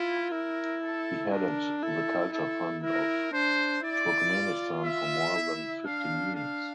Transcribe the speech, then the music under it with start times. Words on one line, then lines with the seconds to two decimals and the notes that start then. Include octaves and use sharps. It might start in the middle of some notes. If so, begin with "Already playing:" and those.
He headed the Culture Fund of Turkmenistan for more than fifteen years.
Already playing: E4 F4
0.31 E4 A#4
0.82 A4
1.32 D4 A#4
1.82 E4 A4
2.33 E4 A4
2.84 E4 A#4
3.33 D4 C5
3.84 E4 D5
4.34 F4
4.85 E5
5.35 E4
5.85 D4 F5
6.36 F5